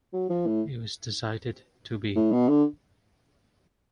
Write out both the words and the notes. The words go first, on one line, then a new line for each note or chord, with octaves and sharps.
It was decided to be.
F#3
F3
A2
A2
B2
D3